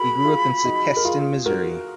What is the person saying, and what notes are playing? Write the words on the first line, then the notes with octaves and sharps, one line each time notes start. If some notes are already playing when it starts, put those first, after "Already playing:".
He grew up in Sikeston, Missouri.
Already playing: F#4 G#4 A#4 B5
F4 G#4
D#4 F#4
A#4
F4 G#4
F#4 A#4